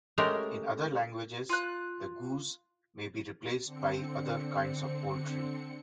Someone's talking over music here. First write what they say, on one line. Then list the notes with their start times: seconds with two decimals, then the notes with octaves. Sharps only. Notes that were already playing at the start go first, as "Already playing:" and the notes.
In other languages, the "goose" may be replaced by other kinds of poultry.
0.18 G#3 A3 C#4 G4 A#4
1.49 F4 F#6
3.64 D3 C4 C#7